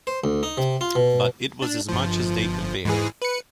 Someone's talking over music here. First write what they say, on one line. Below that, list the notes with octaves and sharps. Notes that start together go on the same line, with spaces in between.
But it was as much as they could bear.
C5
D2
D#4
C3
F4
B2
D4
G1 F3
G#2 E3 G#4
B4 C#7